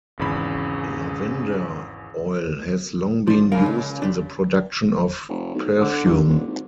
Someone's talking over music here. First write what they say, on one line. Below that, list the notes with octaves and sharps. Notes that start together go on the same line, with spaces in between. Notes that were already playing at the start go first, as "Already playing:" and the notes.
Lavender oil has long been used in the production of perfume.
G#1 E2 C#3 B5
F3 D4
A#2 C#3 A#4 F5
C#2
D4 G4
F1
B1
D3
G2
D#1
G#1